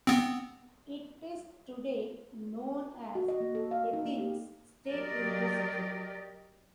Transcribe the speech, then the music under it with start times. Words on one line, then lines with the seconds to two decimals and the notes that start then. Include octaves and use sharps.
It is today known as Athens State University.
0.07 B3 C4
3.15 F#4
3.28 D#5
3.40 A#3
3.55 A4
3.71 F5
3.93 D#4
4.05 A#3
4.18 G4
4.88 F#3 G4 A#4 D5 D#5